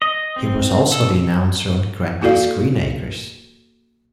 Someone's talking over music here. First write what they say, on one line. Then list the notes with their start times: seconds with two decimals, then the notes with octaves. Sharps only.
He was also the announcer on "Granby's Green Acres".
0.02 D#5
0.36 C4
0.92 A4
2.21 A#3 E4 F#4 A4 D5 F5